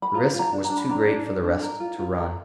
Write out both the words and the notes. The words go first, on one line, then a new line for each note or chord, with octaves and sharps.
The risk was too great for the rest to run.
B5
F4 A#5
F4
A#5
D4
A#5
D4
B5
D4 A#5
D4
D4
D4
A#4
F4
F4
A#4